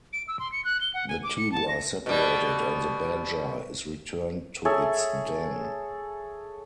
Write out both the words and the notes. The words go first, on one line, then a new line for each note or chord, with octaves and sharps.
The two are separated and the badger is returned to its den.
D7
E6
C6
C#7
F#6
G7
F#5
G#5
D6
C#7
A5
A#6
B2 G3
G#4 A4 C#5 E5